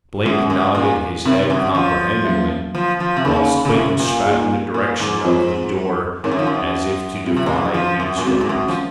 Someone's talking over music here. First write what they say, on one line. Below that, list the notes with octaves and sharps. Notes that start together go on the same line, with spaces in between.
Blake nodded his head comprehendingly, whilst Quinton spat in the direction of the door as if to defy eavesdroppers.
F#2 G#3 C#4 G#4
F#2
A#2
C3 C4 D#4 A#4
F#2
F3
F#3 A#3 C#4
F3
F3
C3
C#3 A#3 D#4 A#4 C#5
C#3
C3
A#2
A#3 D#4 G#4
A#2
G#2
F3 C4 F4 C5
G#2 C4 D#4 A#4 C#5
F#2
F3
F#2
F#3 C4 F4
C3
A#2
G#2
F#2
F3
F#2
A#2
G#2 G#3 C4 F#4
G#2
F#2
F3